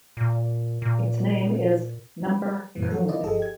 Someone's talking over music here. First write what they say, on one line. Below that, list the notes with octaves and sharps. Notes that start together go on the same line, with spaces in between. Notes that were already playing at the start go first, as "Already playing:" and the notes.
Its name is Number-kun.
A#2
A#2
F#2 A#2 E3 G3
A4
E4 F4 D5 D#5
G1 F3 G#4 A4 D#5
G4 G#6